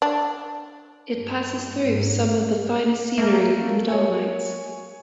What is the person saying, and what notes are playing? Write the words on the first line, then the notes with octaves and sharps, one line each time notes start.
It passes through some of the finest scenery in the Dolomites.
D4
G2
G#2
A3 A#3 A#4
C#5 G#5